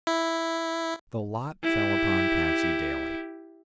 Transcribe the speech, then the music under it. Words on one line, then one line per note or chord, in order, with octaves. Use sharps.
The lot fell upon Patsey Daly.
E4
E4 G4